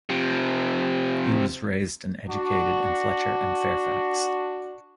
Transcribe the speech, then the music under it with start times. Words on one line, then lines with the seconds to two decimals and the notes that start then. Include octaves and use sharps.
He was raised and educated in Fletcher and Fairfax.
0.10 C3 F3
2.27 D4 F#4